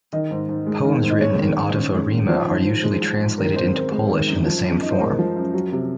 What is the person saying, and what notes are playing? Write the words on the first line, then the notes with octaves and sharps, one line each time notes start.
Poems written in ottava rima are usually translated into Polish in the same form.
D#3 D#5
G#2
G#2
G#3
D#3
G#2
D#5
G#3 C#5
D#3
D#3
C#4
G#3
D#3
F3 C5
G#2
G#2
G#3
F3
G#2
D#3 A#4
F#2 C5
C4 A#4
G#3 A#4
D#3
F#2
F3
F#2
D#4
C5
G#3 A#4
F3
F#2
F#3
C3